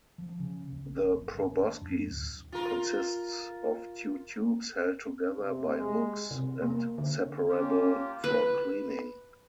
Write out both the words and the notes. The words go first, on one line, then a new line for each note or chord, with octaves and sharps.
The proboscis consists of two tubes held together by hooks and separable for cleaning.
F3
C#3
A#1
F#1
G#1
D4
F#2
D1
F4 A#4
C3
G#3
C3
A#3
D3
A#3 C#4 F4 G4
B4